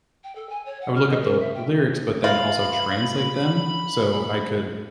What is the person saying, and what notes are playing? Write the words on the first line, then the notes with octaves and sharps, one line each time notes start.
I would look up the lyrics, but then also translate them, so I could
G5
A4
G#5
C#5
F#5
F6
D#5
A#4
E5
G5
F4 B4 E5 B5